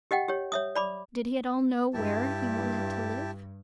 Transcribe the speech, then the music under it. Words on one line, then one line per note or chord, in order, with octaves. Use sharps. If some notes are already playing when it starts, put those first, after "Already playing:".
Did he at all know where he wanted to live?
G4 D#5 F#5 G5
G4 C#5
C#5 E5 D#6
D5 B5 D6
G2 E4 G4 A5